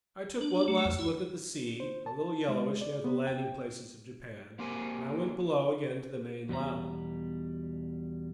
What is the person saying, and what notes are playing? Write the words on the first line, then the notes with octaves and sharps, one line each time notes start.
I took one last look at the sea, a little yellowish near the landing places of Japan, and I went below again to the main lounge.
D4
A3
F2
E4
C5
A5
G#3
D5
B3
G5
A#3 C4 G4 A#4 G#5
E2 B2 G3 A#5